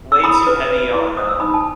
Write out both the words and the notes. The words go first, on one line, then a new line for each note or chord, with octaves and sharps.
way too heavy on, um,
E6
E4 B5 D#6
B4
B4
E4
C5 D#6
E6
D#4 B5 D#6
A5